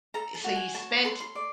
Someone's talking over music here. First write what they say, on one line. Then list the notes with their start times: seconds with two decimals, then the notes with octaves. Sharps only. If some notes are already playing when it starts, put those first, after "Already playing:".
so you spent
0.14 A4 A#5
0.35 A5
0.44 F#4
0.55 G#5
0.74 C#5 A5
1.04 A4 C6
1.20 C6
1.35 D5